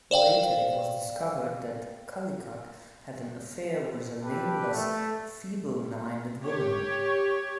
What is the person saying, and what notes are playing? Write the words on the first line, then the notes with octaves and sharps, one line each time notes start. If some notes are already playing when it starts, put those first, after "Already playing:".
Later, it was discovered that Kallikak had an affair with a "nameless feeble-minded woman".
C5 D5 F5 G5
G4 A4 B4
A3
G4 C#5